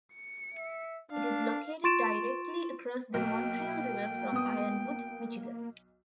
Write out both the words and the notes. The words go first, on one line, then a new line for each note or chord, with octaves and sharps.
It is located directly across the Montreal River from Ironwood, Michigan.
C#7
E5
D4 F5
F4 C6 C#6 A6 D7 E7
B1 A#3 G5
B3 D#6